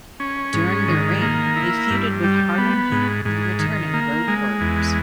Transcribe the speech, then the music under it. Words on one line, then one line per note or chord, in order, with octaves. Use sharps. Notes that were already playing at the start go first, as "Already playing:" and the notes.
During their reign, they feuded with Harlem Heat and the returning Road Warriors.
C#4
G#2
D#3
A#3
E4
G2
G3
B3
G#2
G#2
D#3
A#3
G#3
E2